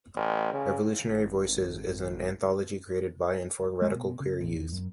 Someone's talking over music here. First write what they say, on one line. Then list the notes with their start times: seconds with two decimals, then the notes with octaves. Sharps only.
Revolutionary Voices is an anthology created by and for radical queer youth.
0.16 A1
0.53 C#3
1.08 G#1
3.82 G#3
3.95 B2
4.20 C#3
4.41 A1
4.53 E2
4.73 F#2